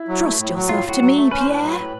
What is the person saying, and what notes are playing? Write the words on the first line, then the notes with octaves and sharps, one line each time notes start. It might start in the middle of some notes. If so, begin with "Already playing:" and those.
Trust yourself to me, Pierre.
Already playing: E4
F#3
A3
A2
F#3
A2 F4
A2 F#4
F#3
A3
C#4 B4
C5
A2 B4
F#3
A2